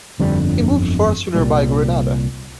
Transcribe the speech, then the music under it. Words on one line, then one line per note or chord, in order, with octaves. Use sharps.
He moved first to nearby Grenada.
G1 F2 D3 G3
C2 A#2 G3